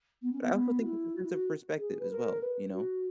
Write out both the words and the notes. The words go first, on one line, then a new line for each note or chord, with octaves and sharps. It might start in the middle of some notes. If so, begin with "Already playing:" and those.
But I also think there's a sense of perspective as well, you know?
B3
C#4
B3
B3
F#4
E4
F#4
E4
F#4
G#4
B4
A#4
B4
F#4